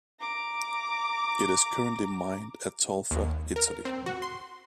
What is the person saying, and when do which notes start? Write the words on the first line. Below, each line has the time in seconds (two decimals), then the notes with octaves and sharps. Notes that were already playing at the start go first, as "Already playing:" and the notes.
It is currently mined at Tolfa, Italy.
0.20 A#5 D6
3.11 D#2
3.56 A#4
3.85 C4
4.06 F#4
4.22 C6